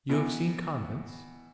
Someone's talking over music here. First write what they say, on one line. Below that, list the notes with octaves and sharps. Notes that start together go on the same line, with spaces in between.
"You have seen convents?"
B2 E3